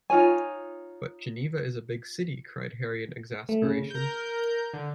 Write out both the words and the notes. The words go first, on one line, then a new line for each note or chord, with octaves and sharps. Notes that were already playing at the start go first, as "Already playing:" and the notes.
"But Geneva is a big city" cried Harry in exasperation.
D#4 F4 C#5 G#5
A3
C#3
A#4 G6
D3